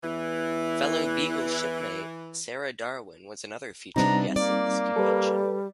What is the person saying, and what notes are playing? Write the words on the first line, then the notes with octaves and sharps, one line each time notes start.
Fellow "Beagle" shipmate Sarah Darwin was another featured guest at this convention.
E2 E3
C3 G3 B3 C4 D4 D#4 A#5
A#3 D5
G3 A4 B4